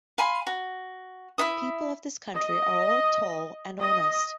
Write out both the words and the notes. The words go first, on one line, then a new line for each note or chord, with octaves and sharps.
The people of this country are all tall and honest.
F5 G#5 B5 C6
F#4
E4 C5 E5 D#6
D#5
D#5